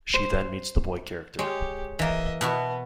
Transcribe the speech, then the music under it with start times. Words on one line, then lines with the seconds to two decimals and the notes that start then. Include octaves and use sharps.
She then meets the boy character.
0.14 C5
1.39 G#3 G4 C#5
1.99 E3 A#3 D#5 E5
2.41 B2 B3 E4 F#4 A5